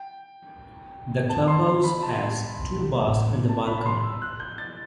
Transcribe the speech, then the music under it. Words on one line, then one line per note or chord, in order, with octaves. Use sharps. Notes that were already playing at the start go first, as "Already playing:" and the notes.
The club house has two bars and a balcony.
Already playing: G5
A5
C6
C6
B5
A5
A5
B5
B5
C6
E6
F#6
G6
A6